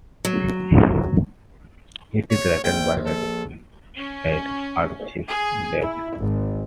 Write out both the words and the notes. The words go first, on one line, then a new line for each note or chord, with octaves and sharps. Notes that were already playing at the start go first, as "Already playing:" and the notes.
It is written by Disney's head archivist, Dave Smith.
F#3
C#5
A#1 G5
A4
C#4
G#4
E4
G#1